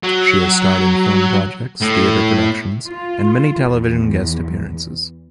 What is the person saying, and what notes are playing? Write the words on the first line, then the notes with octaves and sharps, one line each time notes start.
She has starred in film projects, theatre productions and many television guest appearances.
F#3
A2
F4
E2